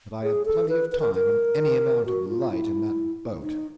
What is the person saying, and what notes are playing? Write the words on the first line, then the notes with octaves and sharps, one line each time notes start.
But I had plenty of time and any amount of light in that boat.
G#4
A4
B4
B4
A#4
A#4
F#4
F4
E4
D#4